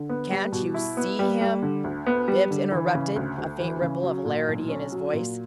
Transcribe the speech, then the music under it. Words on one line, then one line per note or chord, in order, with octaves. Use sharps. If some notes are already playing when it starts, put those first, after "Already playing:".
"Can't you SEE him?" Bibbs interrupted, a faint ripple of hilarity in his voice.
Already playing: D3
B3
G3
B2
E4
B3
G3
G3
D3
D2
B3
G3
D3
E3
C#3
D2
D2
E3
C#3
F#3
A#2
B1
C#4
F#3
A#2